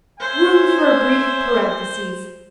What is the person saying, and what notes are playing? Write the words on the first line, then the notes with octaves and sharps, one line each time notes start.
Room for a brief parenthesis.
C5 C#5 E5 G#5